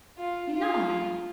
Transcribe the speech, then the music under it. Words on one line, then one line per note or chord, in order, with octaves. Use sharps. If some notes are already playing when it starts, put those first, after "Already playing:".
You know I am!
F4
F4